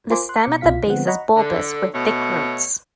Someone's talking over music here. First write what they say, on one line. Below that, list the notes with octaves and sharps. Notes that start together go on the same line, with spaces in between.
The stem at the base is bulbous, with thick roots.
F4 A#4 C5 G#5 C6 D6
C6 F#6
B2 D6 C#7
C2 B2 F4 F5 B6
D3 F3 G#3 B3 C4 F#5
D#5 F#5 A#5 B5 C#6
D3
B2 A3 C#5